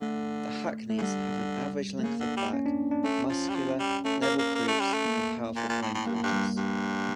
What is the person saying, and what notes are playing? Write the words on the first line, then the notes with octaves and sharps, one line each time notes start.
The Hackneys have an average length of back, muscular, level croups, and powerful hindquarters.
D3 A3
A3
C#3
D3 G3
A3
C#3 A#3
D3
G3
C#4
D4
D4
A3 C#4
F3
G3
F3
G3
A3 C#4
A#3
A#3
A#3
A3
G3
A3
A#3
A#2
A#2
A2
A2
G2 A#3
A2
G2
G3
G2